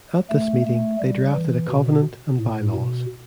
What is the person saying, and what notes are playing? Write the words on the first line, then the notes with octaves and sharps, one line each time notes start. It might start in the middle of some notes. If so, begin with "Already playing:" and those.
At this meeting, they drafted a covenant and bylaws.
A3
A3
G3
E3
B2
A2
B2